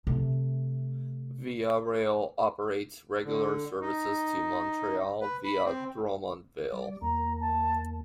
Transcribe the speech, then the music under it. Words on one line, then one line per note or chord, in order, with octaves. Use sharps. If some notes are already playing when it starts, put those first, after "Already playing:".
Via Rail operates regular services to Montreal via Drummondville.
C3 A3
D3
D#4
B4
B5
C4
G3 D5
E2 A#3 A#5
A5